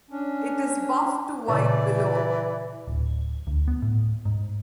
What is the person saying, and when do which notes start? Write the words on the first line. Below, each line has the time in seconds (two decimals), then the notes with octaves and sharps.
It is buff to white below.
0.11 C#4 D4
1.48 A#2 C#3 E3 D5
2.87 D1
3.47 D2
3.68 B3
3.82 A2
4.25 G#2